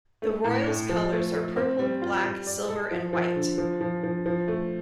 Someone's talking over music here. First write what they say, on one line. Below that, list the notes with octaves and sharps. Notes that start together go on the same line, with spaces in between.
The Royals colors are purple, black, silver, and white.
A3
A2
A3
F3
A3
A3
C4
G3
F4
G3
D5
A4
F3
F3
D3
F3
F3
F3
F3
A3